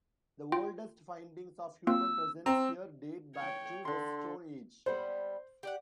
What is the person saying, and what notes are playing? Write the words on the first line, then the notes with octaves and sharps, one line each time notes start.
The oldest findings of human presence here date back to the Stone Age.
F4 G5
A#3 C4 F4 E6
C4 A#5 E6
C#5 G5
D3 A4 C6
G3 B3 C5
G4 D5 F#5